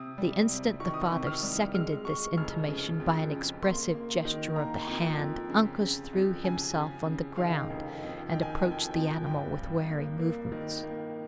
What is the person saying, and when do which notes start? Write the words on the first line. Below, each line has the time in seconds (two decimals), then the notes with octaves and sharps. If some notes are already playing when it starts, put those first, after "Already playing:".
The instant the father seconded this intimation by an expressive gesture of the hand, Uncas threw himself on the ground, and approached the animal with wary movements.
Already playing: C3 D#6
0.18 G3
0.49 C3
0.80 D#3 C#6
0.94 D#6
1.06 C#6
1.12 C3
1.27 F6
1.43 G3
1.74 G#3 F6
2.05 G#3 C#6
2.37 F1 F6
2.68 C#3
3.00 F2
3.31 C#3
3.62 A#3 C6
3.94 A#3
4.25 D#3
4.56 A#3 A#5
4.87 F2
5.19 F2
5.50 C#3
5.81 C#3
6.13 F2
6.44 C#3 G#5
6.75 C#3
7.06 C#3
7.37 D#3 F5
7.70 F1
8.00 F2
8.31 D#3 G5
8.42 G#5
8.52 G5
8.62 F2 G#5
8.72 G5
8.82 G#5
8.91 F2 G5
9.26 G2 G5
9.57 G2
9.89 A#3
10.19 A#3
10.52 D#3
10.83 A#3